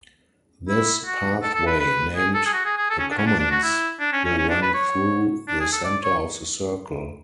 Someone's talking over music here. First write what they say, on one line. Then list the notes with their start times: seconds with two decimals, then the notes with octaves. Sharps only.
This pathway, named the Commons, will run through the centre of the circle.
0.69 E4
1.06 F#4
1.42 A4
1.54 A4
1.67 B4
1.80 B4
2.16 G#4
2.34 A4
2.46 G#4
2.53 F#4
2.65 G#4
2.78 G#4
2.90 A4
2.99 C#4
3.11 D4
3.18 C#4
3.26 D4
3.39 D4
3.51 F#4
3.63 E4
4.00 D4
4.13 C#4
4.24 C#4
4.37 C#4
4.49 D4
4.62 B4
4.74 C#5
5.48 D4
5.60 G#4
5.72 A4
5.84 D5
6.03 C#5